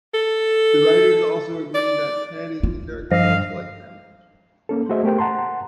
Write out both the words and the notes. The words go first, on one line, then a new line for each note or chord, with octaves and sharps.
The writers also agree that Ted is the character most like them.
A4
D5
F4
G2 F3 D#5 F5
A#3 C#4 A4
A3 F#4 G#4 C5 D#5 E5
A3 B3 G4 A#4 C5 G5
F#5 A5 A#5 C6